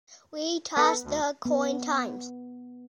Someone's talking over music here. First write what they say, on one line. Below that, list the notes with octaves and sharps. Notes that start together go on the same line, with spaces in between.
We toss the coin times.
B3 A4 B4
D2
B3